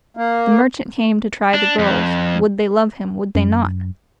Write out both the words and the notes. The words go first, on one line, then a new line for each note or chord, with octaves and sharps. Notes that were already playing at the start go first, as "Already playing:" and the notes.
The merchant came to try the girls: Would they love him, would they not?
A#3
D4
F2
F#2